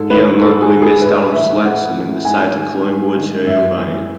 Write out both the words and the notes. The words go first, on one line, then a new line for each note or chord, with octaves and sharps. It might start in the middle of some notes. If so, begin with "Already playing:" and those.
He unluckily missed out on selection in the side to Collingwood's Harry O'Brien.
Already playing: G#2 A4
D#3 B4
G#2 A4
G#4
D#3
G#4
A2 B4
E3 E5
A2 F#5
E3
G#2 G#5
D#3
G#2
D#3
F#2 E5
E3